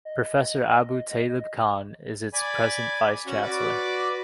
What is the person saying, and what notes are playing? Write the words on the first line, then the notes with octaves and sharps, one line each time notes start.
Professor Abu Taleb Khan is its present vice chancellor.
D#5
D5 G#5 B5
C#4 F#4 F#5
F#4 B4 D5 D6